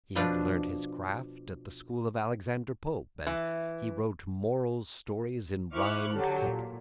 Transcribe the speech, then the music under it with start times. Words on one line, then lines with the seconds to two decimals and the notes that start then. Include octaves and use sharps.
He had learnt his craft at the school of Alexander Pope, and he wrote moral stories in rhymed couplets.
0.15 B2 F3 D4 B4 D5 G5
3.27 E3
5.73 E4 C5 C#6 D6 F6 F#6
6.13 D3 F#3 G4 A4
6.43 A#2